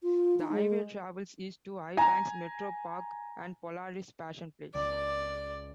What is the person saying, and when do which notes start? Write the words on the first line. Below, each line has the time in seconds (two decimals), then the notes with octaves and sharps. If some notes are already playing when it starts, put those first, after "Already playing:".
The highway travels east to Highbanks Metro Park and Polaris Fashion Place.
0.03 F4
0.40 D#4
0.51 G#3
1.97 G#5 A#5
4.75 C#2 D5